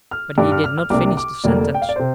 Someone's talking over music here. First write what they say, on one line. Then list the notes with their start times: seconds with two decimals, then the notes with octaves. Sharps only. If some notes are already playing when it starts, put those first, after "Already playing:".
But he did not finish the sentence.
0.11 F6
0.38 G2 G3 D4 D6
0.52 F6
0.64 F6
0.78 F6
0.90 C2 C3 A#3 D4 D6
1.17 D6
1.44 F1 F2 D3 A#3 D5
1.74 G5
1.82 F5
1.89 D5
1.96 C3 C5